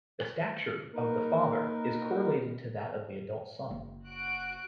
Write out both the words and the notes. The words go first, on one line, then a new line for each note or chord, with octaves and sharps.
The stature of the father is correlated to that of the adult son.
A#3 D#4 A#4 B4
F#1
F#4 F#6 D7